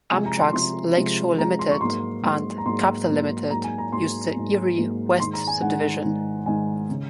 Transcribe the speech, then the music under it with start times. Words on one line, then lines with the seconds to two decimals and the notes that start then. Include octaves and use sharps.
Amtrak's "Lake Shore Limited" and "Capitol Limited" use the Erie West Subdivision.
0.11 C3 F3 G#3 G#5
0.26 A#5
0.40 C6
0.53 C3 F3 G#3 C6
0.96 C3 F3 G#3
1.38 C3 F3 G#3 A#5
1.59 C6
1.71 C#6
1.81 G#2 F#3 A#3 C6
2.23 G#2 F#3 A#3
2.58 A#5
2.65 G#2 F#3 A#3 C6
3.08 G#2 F#3 A#3
3.50 G#2 F#3 A#3 A#5
3.64 G#5
3.78 A#5
3.92 G#2 F#3 A#3 C6
4.35 G#2 F#3 A#3
4.78 G#2 F#3 A#3
5.20 G#2 D#3 G#3 C6
5.33 A#5
5.47 G#5
5.62 G#2 D#3 G#3 F#5
6.04 G#2 D#3 G#3
6.46 G#2 D#3 G#3 G#5
6.89 C#3 G#3